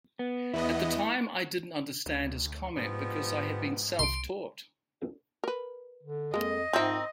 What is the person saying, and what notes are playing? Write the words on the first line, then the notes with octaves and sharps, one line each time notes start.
At the time I didn't understand his comment because I had been self-taught.
B3
E2 B3 E4 D#5
D2
G#2 F3 G3 B3
C2 C6 D7
A#4 B4
D3
F2 G#3 A#3 D#5
G#2 D#3 F3 C4 E5